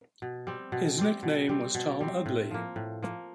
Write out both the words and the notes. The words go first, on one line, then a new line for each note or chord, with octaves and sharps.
His nickname was Tom Ugly.
B2
G3 C4
B2
G3 C4
B2
G3 C4
B2
G3 C4
A2
F3 A#3
A2
F3 A#3